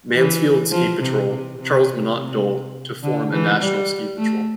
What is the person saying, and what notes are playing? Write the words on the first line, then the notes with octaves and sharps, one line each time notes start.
Mansfield Ski Patrol, Charles Minot Dole, to form a national ski patrol.
E3
F3
C3
C3
C3
C3
D3
E3
G3
A3